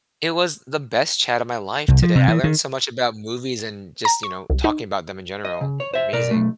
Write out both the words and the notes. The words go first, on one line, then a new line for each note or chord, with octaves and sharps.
It was the best chat of my life today, I learned so much about movies and just, you know, talking about them in general. Amazing.
C2
F3
C3
E3
D#3
A#5
C#6
C2
D#4
D#5
C#3
C#5
C5 E5
B2 A#4 D5
B1 A3